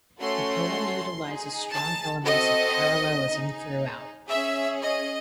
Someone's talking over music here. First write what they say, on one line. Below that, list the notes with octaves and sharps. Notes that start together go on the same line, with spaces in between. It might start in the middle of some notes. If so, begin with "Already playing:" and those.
The poem utilizes strong elements of parallelism throughout.
A3 C#4 F#4 A4 C6
D#4 G#4
A5
C4 F#4 A4 D#5
D#4 G#4
C#4 G#4 E5
D#5